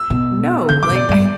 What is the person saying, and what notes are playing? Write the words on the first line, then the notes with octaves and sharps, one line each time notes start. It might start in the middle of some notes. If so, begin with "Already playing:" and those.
"No, like, I
Already playing: E6
B2
D3 G6
D6
B2
D5
G2 D5